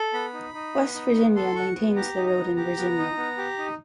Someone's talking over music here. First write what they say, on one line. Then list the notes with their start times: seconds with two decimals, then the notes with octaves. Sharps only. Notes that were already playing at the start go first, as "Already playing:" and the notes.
West Virginia maintains the road in Virginia.
Already playing: A4
0.14 B3 B5
0.34 D#4
0.54 D#4
0.75 B3
0.95 D#4
1.15 B3
1.36 A4 C6
1.55 F#4 C#6
1.76 B3
1.96 G4 A#5
2.16 D#4
2.27 A#5
2.37 B3
2.56 G4 A#5
2.77 B3
2.98 D#4
3.18 B3
3.38 G4
3.58 D#4